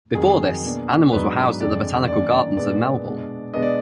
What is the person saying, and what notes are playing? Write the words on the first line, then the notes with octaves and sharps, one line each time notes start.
Before this, animals were housed at the botanical gardens in Melbourne.
F2 D#3 F#3 G#4
B2 A#3 D4
G#2 F#3 B3 D4 B4
F2 D3 G#3 D4 D5
F#2 D#3 A#3 D4 D5
D5
A#2 G#3 B3 D4 D5
B2 G#3 D4
B2 G#3 B3 D4 D#5
D5